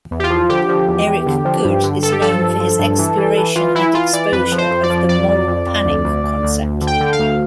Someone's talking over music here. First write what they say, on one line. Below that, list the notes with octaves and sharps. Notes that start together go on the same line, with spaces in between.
Erich Goode is known for his exploration and exposure of the "moral panic" concept.
E2
G4
F4
F3
D3 G4
F3
E2
E2
D3
F3
G2
D3
G2 A4
G4
F3 A4
G2
F3
G2
E3
E3
E3
E3 F4
E3 E4
E3 F4
E3 D5
F2 B4
F3
C5
F2
D5
F3
F2 D5
F2
F2
F2
D2
D2
D2
D2
D2
D3
G5
D3
F5
D2